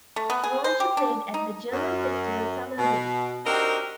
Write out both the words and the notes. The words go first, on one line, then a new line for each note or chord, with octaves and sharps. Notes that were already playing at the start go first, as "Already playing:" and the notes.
Raunchy played at the German festival Summerbreeze.
A3
B3
G#4
C5
G4
D4
D#4
F#2
B2
C4 D4 D#4 F#4 G4 A#4